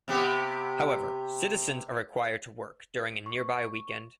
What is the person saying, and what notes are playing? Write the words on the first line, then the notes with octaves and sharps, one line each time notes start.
However, citizens are required to work during a nearby weekend.
C3 B3 G4
C#6